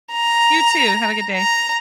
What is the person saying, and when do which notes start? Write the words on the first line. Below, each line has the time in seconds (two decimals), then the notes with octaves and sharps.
You too, have a good day.
0.13 A#5
1.37 A#5